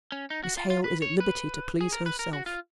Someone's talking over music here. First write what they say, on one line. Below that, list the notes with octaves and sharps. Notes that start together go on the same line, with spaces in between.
Miss Hale is at liberty to please herself.'
C#4
D#4
F#4
F4
F4
B4
C#5
B4
G#4
A#4
B4
A#4
F#4
F4